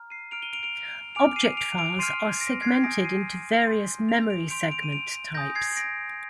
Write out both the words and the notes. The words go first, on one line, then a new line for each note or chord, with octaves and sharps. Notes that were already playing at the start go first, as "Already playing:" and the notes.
Object files are segmented into various memory segments types.
Already playing: A#5 F6
C7 D#7
A#5 F6 D7 F7
D#7 G7
D7 F7
D7 F7
G#5 D6 F6 D7 F7
C7 D#7
D7 F7
D7 F7
C6 F6 C7 D#7
A#6 D7
G#6 C7
G#5 D#6 G6 A#6 D7
C7 D#7
C6 G6
D7 F7
D7 F7
C6 G6 D7 F7
D7 F7
D#7
D7 F7
G#5 D#6 G6 A#6
G#6 C7
A#6 D7